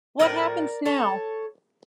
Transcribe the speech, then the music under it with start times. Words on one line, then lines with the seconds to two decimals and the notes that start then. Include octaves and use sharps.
What Happens Now?
0.19 A2 F3 A3 C#4 A#4 D5
0.85 A4 C#5